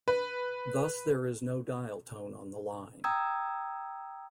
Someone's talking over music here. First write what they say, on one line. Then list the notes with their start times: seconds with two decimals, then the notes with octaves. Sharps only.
Thus there is no dial tone on the line.
0.08 B4
3.04 G5 A#5 D#6 E6 G#6